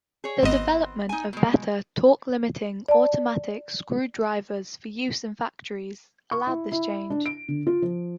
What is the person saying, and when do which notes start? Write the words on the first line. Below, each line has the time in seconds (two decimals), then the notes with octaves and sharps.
The development of better torque-limiting automatic screwdrivers for use in factories allowed this change.
0.24 G#4 C#5
0.43 G#1 B3 C4 D#5
1.09 D#4 G#5
1.33 B2 G#3
2.88 D5 A5
6.31 C#6
6.47 E4
6.72 E4
7.10 D4
7.26 D7
7.48 D3
7.67 F4
7.82 F3